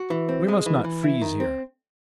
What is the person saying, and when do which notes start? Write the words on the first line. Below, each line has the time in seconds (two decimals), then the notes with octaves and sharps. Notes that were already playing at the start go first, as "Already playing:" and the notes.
"We must not freeze here."
Already playing: F#4
0.10 E3
0.29 C4
0.48 G#3
0.66 E3
0.84 E3
1.04 E4
1.22 D#3
1.40 C4